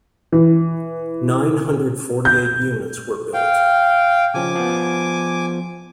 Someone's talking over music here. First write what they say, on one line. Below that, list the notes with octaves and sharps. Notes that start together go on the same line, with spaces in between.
Nine hundred forty-eight units were built.
E3
G6
F5 G5
C#3 F3 C#4 G#5 D6
F3 B3